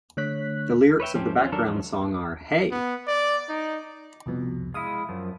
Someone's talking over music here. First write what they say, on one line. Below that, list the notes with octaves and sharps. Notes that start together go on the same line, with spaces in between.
The lyrics of the background song are Hey!
D3 A3 C#5 F#6 B6
B4 C#5 E5 G5
F3 C4 C#4 G4
C4 C#4 F4
D#3 F#3 D4 A4 A#4
E3 F3 G#3 C#4
B3
D5
D#4
C2 F2 B2
G#3 E4 F5 D#6
F#2 F3